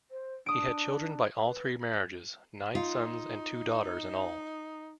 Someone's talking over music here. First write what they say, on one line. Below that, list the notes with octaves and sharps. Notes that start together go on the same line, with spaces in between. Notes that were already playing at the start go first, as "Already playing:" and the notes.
He had children by all three marriages, nine sons and two daughters in all.
C5
D4 D#6 D7
B4
D#4 F4